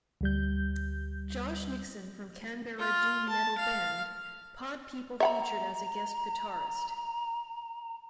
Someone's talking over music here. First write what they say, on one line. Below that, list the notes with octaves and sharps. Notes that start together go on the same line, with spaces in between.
Josh Nixon from Canberra doom metal band, Pod People featured as a guest guitarist.
D2 G3 G6
F4
A5
F5
E5 F#5 A#5 B5